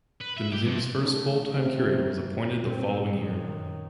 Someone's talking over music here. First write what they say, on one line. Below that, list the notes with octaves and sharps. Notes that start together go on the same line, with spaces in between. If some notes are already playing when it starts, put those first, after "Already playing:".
The museum's first full-time curator was appointed the following year.
B4
E5
G4
F2
D#3 A3 C#4
C3 C4
A#2 C4
F#2 D#3